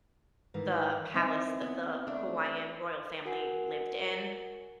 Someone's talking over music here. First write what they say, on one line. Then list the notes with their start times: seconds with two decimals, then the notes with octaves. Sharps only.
the palace that the Hawaiian royal family lived in,
0.54 G#2 D#3 E3
1.14 E3 C4 D#4 E5 C6
1.62 B3
2.07 A3 D4
3.25 F#4 A#4 F#5 G#5 C7